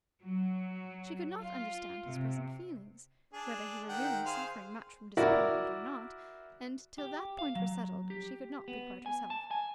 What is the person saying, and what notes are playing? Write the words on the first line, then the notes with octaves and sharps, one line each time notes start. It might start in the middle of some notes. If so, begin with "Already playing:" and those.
She could not understand his present feelings, whether he were really suffering much from disappointment or not; and till that point were settled, she could not be quite herself.
F#3
F4
C3
D4 G#4
D#3 F#5 G5
G#4 C5 F5
E4 F#4 A#4 D5
G4
F5
F#3
G4
B3
G#5
A5
G#5